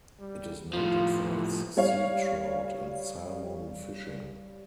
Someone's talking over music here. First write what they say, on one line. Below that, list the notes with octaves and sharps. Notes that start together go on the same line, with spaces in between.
It is noted for its sea trout and salmon fishing.
G3
A2 F3 F4
E3
G3 C#5 F5